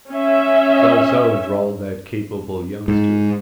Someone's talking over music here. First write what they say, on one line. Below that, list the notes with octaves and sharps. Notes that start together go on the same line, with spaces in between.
"So, so," drawled that capable youngster.
C#4 E5
G#2